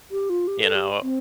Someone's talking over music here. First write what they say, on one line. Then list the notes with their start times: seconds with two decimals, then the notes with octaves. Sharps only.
you know?
0.11 G4
0.30 F4
0.48 G4
0.61 A4
0.75 G4
1.02 C4